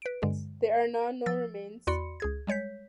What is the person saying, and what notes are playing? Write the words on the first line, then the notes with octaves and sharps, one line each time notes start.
There are now no remains.
B4 D7
G2 D3 G#3
F3 E6 A6
E2 F#4 D5 B5 C6 C#7
C#2 G#4 G#6
G3 G#3 C#5 G6 B6